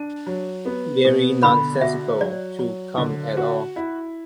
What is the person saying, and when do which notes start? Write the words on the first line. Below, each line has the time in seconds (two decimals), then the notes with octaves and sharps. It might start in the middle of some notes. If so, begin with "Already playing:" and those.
Very nonsensical to come at all!
Already playing: D4 A5
0.27 F#3
0.65 B3
1.05 B2
1.43 D3 B5
1.81 F#4 E5
2.21 F#3 D5
2.59 F#3
2.98 D3
3.37 F#4
3.76 E4